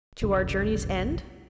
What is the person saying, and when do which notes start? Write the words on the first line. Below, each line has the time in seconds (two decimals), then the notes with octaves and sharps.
"To our journey's end?"
0.22 F1 B1 F#2 D3